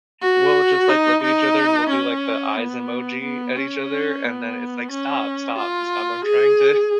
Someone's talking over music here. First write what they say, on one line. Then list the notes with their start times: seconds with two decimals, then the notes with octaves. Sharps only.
We'll just, like look at each other, and we'll do like, the eyes emoji at each other, and then it's like, "Stop, stop, stop. I'm trying to"
0.22 F#4
0.89 D#4
1.23 D#4
1.89 C#4
2.57 B3
3.24 B3
3.57 C#4
4.24 B3
4.91 C#4
5.58 F4
6.25 G#4